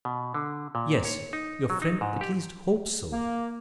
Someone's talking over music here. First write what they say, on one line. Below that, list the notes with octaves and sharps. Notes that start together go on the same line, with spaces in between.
"Yes--your friend at least hopes so."
B2
D3
A#2
C#5
D#4
F#3
D#4
G#2
G4
A#3